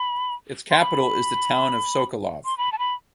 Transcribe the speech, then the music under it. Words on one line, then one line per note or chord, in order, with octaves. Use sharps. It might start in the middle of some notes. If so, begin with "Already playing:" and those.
Its capital is the town of Sokolov.
Already playing: B5
C6
B5
C6
B5
A5
B5